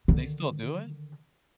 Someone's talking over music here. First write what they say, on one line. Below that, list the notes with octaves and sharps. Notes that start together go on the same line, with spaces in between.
they still do it?
D3 D#3